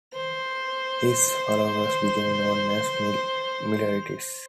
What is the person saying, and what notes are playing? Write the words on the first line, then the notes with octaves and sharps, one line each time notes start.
His followers became known as Millerites.
C5